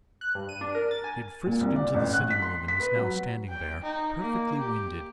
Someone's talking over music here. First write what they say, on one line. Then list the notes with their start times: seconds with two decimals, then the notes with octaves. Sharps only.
He had frisked into the sitting-room, and was now standing there: perfectly winded.
0.21 F#6
0.35 G2
0.49 D#7
0.61 D4
0.75 A#4
0.91 A6
1.04 G#5
1.46 A#2
1.61 C2
1.76 D5
1.94 A1
2.13 F#6
2.30 B6
2.42 C6
2.68 B6
2.80 B4
2.96 F#3
3.49 G5
3.82 D#4
4.21 A#3
4.58 G4